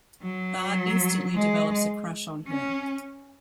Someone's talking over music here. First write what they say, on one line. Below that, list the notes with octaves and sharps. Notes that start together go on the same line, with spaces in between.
Bart instantly develops a crush on her.
F#3
G#3
C#4